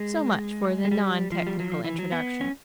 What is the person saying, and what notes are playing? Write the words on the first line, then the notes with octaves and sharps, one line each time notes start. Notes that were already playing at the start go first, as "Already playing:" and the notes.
So much for the non-technical introduction.
Already playing: G#3
G#3
G3
F3
G3
F#3
F3
E3
F#3
B3
C#4